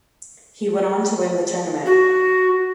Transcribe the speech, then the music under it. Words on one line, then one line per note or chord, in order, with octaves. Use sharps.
He went on to win the tournament.
F#4